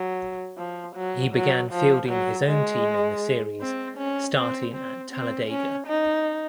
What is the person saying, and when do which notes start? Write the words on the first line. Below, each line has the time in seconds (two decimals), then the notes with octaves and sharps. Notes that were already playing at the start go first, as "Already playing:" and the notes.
He began fielding his own team in the series starting at Talladega.
Already playing: F#3
0.58 F3
0.96 F#3
1.34 F#3
1.71 F3
2.09 F#3
2.47 G#3
3.61 C4
3.98 C#4
4.36 C4
4.74 C4
5.12 C4
5.49 C#4
5.87 D#4